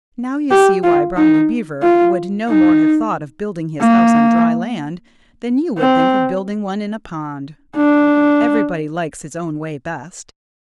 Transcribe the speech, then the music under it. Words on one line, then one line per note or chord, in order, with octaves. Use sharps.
Now you see why Brownie Beaver would no more have thought of building his house on dry land than you would think of building one in a pond. Everybody likes his own way best.
G4
F4
D#4
F4
D#4
A#3
C4
D4